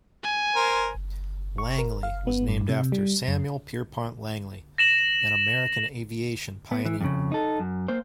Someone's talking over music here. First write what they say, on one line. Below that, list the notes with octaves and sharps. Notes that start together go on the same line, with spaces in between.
"Langley" was named after Samuel Pierpont Langley, an American aviation pioneer.
G#5
A#4 C5
C#6
A#4
F5
B3
G2
C3
G3
F#2
A#6 E7 F#7
B3
E3
F2 C#3
D#4 A4
F#2
A#3 C5